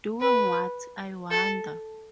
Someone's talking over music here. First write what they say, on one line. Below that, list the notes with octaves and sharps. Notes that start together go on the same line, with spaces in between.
Doing what, I wonder.
B4
A4